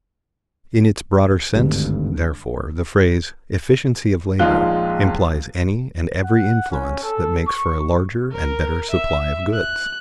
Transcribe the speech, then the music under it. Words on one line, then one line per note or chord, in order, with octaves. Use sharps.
In its broader sense, therefore, the phrase "efficiency of labor" implies any and every influence that makes for a larger and better supply of goods.
G#1 D2 G2
A#1 D#2 G#3 F4 F#6 G7
F#5
C#4
A4
C#6
A#4
E5
F#6